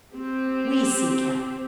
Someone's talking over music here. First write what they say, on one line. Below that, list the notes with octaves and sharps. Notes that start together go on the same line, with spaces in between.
We seek him.
C4 G4